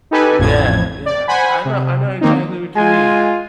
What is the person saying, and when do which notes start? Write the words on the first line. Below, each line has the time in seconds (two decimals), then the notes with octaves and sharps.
yeah, yes, I know I know exactly what you mean,
0.11 D#4 G4 A4 B4 G#5
0.39 A1 F2 A2 G#6
1.06 D5
1.28 C5 F#5 G#5 B5
1.65 C3
2.21 D#3 A#3 C4 D#4
2.76 G#3 F4 G#5